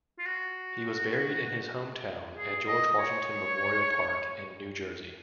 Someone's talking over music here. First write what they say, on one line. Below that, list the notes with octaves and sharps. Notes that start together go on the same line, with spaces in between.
He was buried in his hometown at George Washington Memorial Park in New Jersey.
F4
F#4
G#4
D#5
D#5
C#5